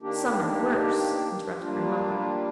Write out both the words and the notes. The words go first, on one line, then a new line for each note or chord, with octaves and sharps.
'Some are worse,' interrupted my mother.
D#3 A#3 D4 G4
G3 A#3 D4 F4